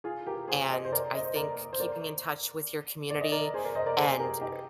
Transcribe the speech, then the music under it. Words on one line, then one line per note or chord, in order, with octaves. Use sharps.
and I think keeping in touch with your community and, er,
F4 G#4
G4 A#4
G#4 C5
C5 D#5
C5
A#4 D5
C5 D#5
C5
A#4 D5
C5
A#4 D5
D5
D#5
A#4 D5
G#4 C5
A#4 D5
C5 D#5
A#4 D5
G#4 C5
G4 A#4
D#4 G4